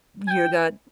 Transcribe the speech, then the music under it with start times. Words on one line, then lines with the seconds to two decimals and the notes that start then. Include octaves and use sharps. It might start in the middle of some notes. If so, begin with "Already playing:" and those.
year, got
0.28 G#5
0.31 G5